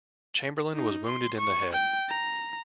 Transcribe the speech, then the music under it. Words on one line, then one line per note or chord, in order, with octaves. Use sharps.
Chamberlain was wounded in the head.
D#4
C6
C#6
G5
A#5